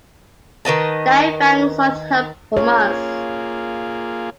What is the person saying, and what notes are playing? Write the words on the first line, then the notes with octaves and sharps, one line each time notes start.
Daifang sought help from us.
D#3 B4 D#5 A5
A#3 F4 G#4 C#5